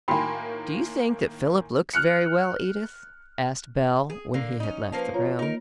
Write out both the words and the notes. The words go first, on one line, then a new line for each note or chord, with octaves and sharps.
"Do you think that Philip looks very well, Edith," asked Belle when he had left the room.
A2 D#3 A#3 F#4 G5 G#5 B5 C6
F6 F#6 C#7
G#4
D3 A#3
C#4 D#4
F3 A#3 C#4 B4 C5 A5
F4 C#5 A#5
A#3 D#4 A#4